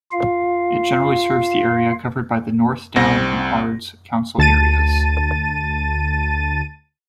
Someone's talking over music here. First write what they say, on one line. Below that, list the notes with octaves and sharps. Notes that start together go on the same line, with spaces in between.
It generally serves the area covered by the North Down and Ards council areas.
F4 F5
C2 C4 A#6
D2 A5 A6 D#7